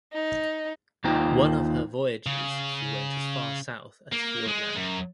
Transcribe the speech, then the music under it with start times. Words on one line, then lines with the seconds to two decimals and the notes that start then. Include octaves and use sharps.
One of her voyages she went as far south as Fiordland.
0.13 D#4
1.04 D#2 A#3 D#4 F4 C5 G5
2.26 C#3
4.12 A#3
4.48 G#3
4.76 F#2